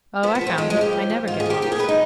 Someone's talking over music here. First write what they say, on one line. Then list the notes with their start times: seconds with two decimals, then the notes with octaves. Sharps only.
"Oh, I found it, I never get lost."
0.23 F3 B3
0.35 B3
0.41 F3
0.47 C4
0.58 G2 G#3
0.70 G#3
0.76 F3 G4
0.93 D#2
1.10 F3
1.28 G#2 F4
1.40 G#4
1.46 F3 G4
1.62 D#3 G4
1.72 G#4
1.79 G2 B4
1.89 D#4